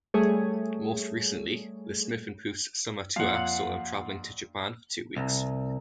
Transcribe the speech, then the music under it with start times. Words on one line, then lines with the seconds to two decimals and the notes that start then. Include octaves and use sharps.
Most recently, the Smiffenpoofs' summer tour saw them traveling to Japan for two weeks.
0.14 G3 A3 G#4 C#5
3.16 F2 A#2 F5 F#5
5.17 C2